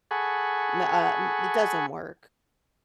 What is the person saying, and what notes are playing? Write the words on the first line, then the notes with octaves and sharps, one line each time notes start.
ma uh, m it doesn't work.
G#4 A4 F#5 G#5 B5 C#6